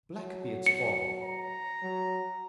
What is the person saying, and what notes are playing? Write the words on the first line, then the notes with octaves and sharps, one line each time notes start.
Black be its fall!
F#3
C#7
A#5
F#3